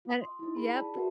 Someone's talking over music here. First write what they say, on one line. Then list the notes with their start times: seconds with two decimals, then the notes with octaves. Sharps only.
and yep.
0.05 F4 D#6
0.22 C6
0.39 D#4 E4
0.56 G#4 B5
0.74 F4 G#4 D5 A5
0.95 F#4 A#4 B4 E5 F#5